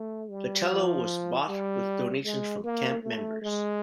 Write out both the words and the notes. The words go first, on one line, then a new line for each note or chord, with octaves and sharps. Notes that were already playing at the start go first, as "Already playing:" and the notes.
The cello was bought with donations from camp members.
Already playing: A3
G3
F3
G3
G#3
A#3
A3
G#3